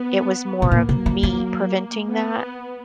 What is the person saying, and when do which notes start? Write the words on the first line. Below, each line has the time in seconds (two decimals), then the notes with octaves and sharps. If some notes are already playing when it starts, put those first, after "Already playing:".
it was more of me preventing that
Already playing: B3
0.62 B2
0.72 A#2 A#3
0.89 C3
1.06 F3
1.23 F#3
2.09 B3